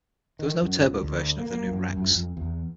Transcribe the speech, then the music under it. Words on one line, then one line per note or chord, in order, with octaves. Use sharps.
There was no turbo version of the new Rex.
D#3
F#2
C#2
D2
A#3
A#3
F#2
F#2
F2
E2